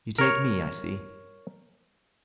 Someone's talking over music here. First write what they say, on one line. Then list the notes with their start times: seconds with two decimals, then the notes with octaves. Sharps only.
You take me, I see.
0.18 A#4 C#5